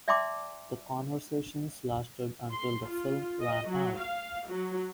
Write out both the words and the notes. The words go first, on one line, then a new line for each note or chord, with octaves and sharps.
The conversations lasted until the film ran out.
D5 E5 G5 A5 C6 D6
C6
F4
D#5
F#3
F5
F#3